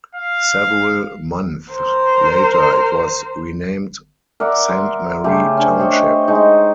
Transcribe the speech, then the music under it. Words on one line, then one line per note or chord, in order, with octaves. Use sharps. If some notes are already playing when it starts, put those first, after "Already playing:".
Several months later it was renamed Saint Mary Township.
F5
A#4 C5
A#4 D5 E5 F#5
C6
C#3 A3 G4
C#4 D4 C5
G4 C5 C#5 D#5
G#3 D#4